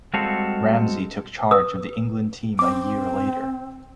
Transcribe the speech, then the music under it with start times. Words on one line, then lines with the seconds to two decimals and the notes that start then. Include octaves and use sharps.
Ramsey took charge of the England team a year later.
0.14 G3 G#3 C4 F#4 A4 F5
1.51 B4 D#6 E6
2.59 C4 D6